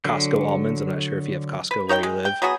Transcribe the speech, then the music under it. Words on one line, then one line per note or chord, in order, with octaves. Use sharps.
Costco almonds, I'm not sure if you have Costco where you live,
D3 F#3
B4
D#4 C#5 F#5 G5
G#3
G5
F#3 B3 F#4 G#4